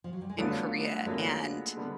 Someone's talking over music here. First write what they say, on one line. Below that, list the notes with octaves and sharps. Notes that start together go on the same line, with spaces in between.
in Korea. And
F3
F#3
G3
G#3
D3 F#3 G3 A3 B3 D4 F4
D3 F#3 G#3 A#3 B3 D4 F4
D3 G3 B3